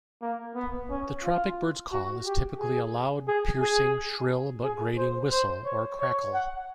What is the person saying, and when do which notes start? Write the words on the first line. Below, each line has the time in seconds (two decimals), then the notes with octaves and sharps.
The tropicbirds' call is typically a loud, piercing, shrill, but grating whistle, or crackle.
0.22 A#3
0.55 B3
0.90 C#4
1.24 F4
1.92 F#4
2.26 G4
2.59 G#4
3.27 G#4
3.61 G#4
4.64 G#4
4.98 C5
5.31 C5
5.65 C#5
6.00 C#5
6.34 F#5